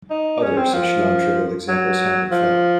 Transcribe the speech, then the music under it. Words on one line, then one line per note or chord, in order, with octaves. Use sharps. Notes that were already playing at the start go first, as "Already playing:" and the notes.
Other such nontrivial examples have been found.
D#4
C#4
C4
F3
F#3
F3